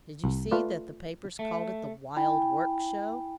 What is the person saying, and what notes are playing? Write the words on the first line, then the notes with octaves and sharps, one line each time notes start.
Did you see that the papers called it the "Wild Work Show"?'
C2
A3 F4 B4 D5
A3
E4 G5 G#5 B5